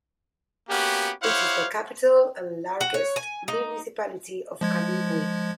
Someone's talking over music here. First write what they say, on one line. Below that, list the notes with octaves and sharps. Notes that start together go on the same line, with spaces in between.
It is the capital and largest municipality of Camiguin.
A#3 B3 C#4 F#4 G4
E4 G4 C5 C#5 F5 F#5
F#4
C#5
G#5
D#4
F3 G#3 G#6